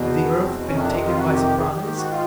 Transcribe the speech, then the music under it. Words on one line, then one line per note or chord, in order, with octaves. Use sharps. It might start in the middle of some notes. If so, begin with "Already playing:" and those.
Had the Earth been taken by surprise?
Already playing: E2 B2
B3
C4
C4
F2 C3 D#3 C#4
D4
F4
F#4
G4
G4
G#4
G#2 D#3 G4
G4
F#4
F4